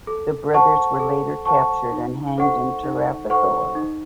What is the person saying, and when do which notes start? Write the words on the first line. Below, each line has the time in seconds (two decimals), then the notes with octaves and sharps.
The brothers were later captured and hanged in Tirupathoor.
0.07 A4
0.53 C5 F#5 A5 C#6
0.99 A4
1.46 C5 F#5 A5 C#6
1.92 D#4
2.38 A4 C5 F#5 C#6
2.83 D#4
3.30 A4 C5 F#5 C#6
3.75 D#4